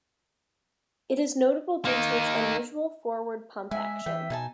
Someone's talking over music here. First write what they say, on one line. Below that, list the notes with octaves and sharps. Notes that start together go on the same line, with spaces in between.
It is notable due to its unusual forward pump action.
A#3 D#4
G#3 E5 G#5
E3 G5
B2 D#4 G#5 A5